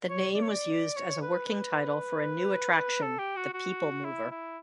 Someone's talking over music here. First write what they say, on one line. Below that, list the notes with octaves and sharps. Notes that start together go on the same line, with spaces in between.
The name was used as a working title for a new attraction, the PeopleMover.
C#5
D5
C#5
D5
C#5
B4
B4
A4
G4
F#4
F#4
E4
E4